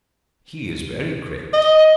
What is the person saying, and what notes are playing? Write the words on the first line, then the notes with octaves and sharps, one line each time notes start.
He is very great.
D#5